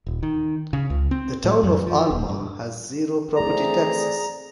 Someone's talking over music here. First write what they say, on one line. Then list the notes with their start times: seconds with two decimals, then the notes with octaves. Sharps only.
The town of Alma has zero property taxes.
0.06 D#1
0.23 D#3
0.73 C#3
0.90 C#2
1.11 C4
1.44 A2
1.63 F#2
1.87 F3
2.10 E1
2.29 G2
3.36 E3 A3 C4 G#4 D5 A#5